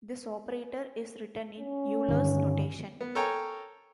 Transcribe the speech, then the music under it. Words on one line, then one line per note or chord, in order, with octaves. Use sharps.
This operator is written in Euler's notation.
C#4
G2 D3 D#3
B3
A4 A#4 C#5 G5 G#5 A#5